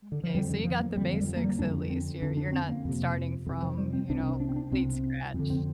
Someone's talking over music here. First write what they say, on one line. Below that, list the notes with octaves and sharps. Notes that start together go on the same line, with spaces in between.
M’kay, so you got the basics at least, you're you're not starting from, you know, complete scratch.
D3
F3
F2 D3 G3
D3
F3
A#3
F2 D3 G3
F3
G3
F3
A#3
G3
F2 D3 D4
C4
F2 D3 D4
D4
C4
A#3
F2 C3
F2 C3 D3
F3
G3
C4
C2 C3 D4
D4
C4
D4
C2 C3 C4
F2
D3
C4